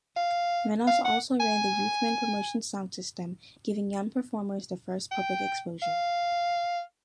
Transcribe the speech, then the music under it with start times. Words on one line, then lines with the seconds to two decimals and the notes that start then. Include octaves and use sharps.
Minott also ran the Youthman Promotion sound-system, giving young performers their first public exposure.
0.16 F5
0.87 F5
1.05 F#5
1.40 G#5
5.12 G5
5.82 F5